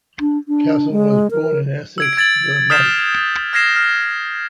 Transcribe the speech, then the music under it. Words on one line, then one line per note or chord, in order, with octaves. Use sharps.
Castle was born in Essex, Vermont.
D4
D4
G#3
A#4
E6 G#6 D7
G#6 A6 D7 F#7
D#6 F6 G6 B6 C7 E7
F6 G#6 A#6 C7 E7
F6